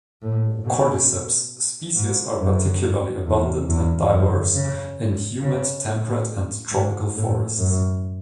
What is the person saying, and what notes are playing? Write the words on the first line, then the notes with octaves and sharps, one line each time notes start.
"Cordyceps" species are particularly abundant and diverse in humid temperate and tropical forests.
A2
B2
G#2
F#2
E2
E2
F#2
C#3
C#3
A2
G#2
A2
F#2